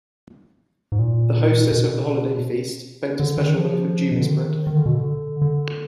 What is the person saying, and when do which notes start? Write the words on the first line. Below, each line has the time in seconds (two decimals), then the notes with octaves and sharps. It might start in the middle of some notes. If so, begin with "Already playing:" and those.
The hostess of the holiday feast baked a special loaf of Jumis bread.
0.92 G#2
0.99 A#2
1.72 B2
3.20 D3
3.37 D#3
3.56 F3
4.12 B2
4.20 D3
4.30 D#3
4.67 D#3
4.76 D3
4.86 B2
4.95 D3
5.42 D3